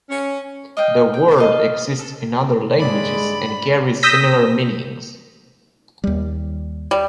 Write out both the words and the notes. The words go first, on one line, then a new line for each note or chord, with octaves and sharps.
The word exists in other languages and carries similar meanings.
C#4
D#5 F5 G5
G5
D#5 F5 A5
A4
C4
G2 C#3 G#3 D5 B5
D#6 E6 G6 A#6 B6
D#2 G3
G3